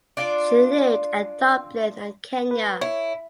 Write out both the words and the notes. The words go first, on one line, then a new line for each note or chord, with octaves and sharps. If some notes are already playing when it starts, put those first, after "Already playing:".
She lived at Dublin and Kenya.
D4 F4 D5
B4
E4 C#5